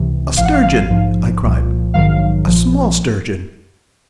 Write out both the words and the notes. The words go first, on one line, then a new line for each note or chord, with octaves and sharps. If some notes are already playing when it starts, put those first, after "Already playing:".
"A sturgeon," I cried; "a small sturgeon."
Already playing: C#2 C3 E3
A1 A2 F3 F5
F#5
F5
F5
A#1 G#2 F3
C2 A#2 F3
A#1 G#2 D#3 F#3 F5
A#1 A#2 F3